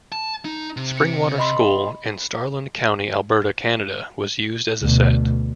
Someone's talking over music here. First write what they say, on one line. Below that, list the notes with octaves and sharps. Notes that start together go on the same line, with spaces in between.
Springwater School in Starland County, Alberta, Canada was used as a set.
A5
D#4
C3
C#7
D#5 B5 C6
D2 B2